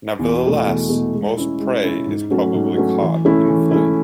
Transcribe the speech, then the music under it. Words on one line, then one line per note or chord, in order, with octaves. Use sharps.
Nevertheless, most prey is probably caught in flight.
E2
B2 A3
E2
B2 A3
G#3
C#4 E4
G#3
C#4 E4
G#2
F#3 A3 C#4
G#2
F#3 A3 C#4
E3
A3 C#4 E4
E3
A3 C#4 E4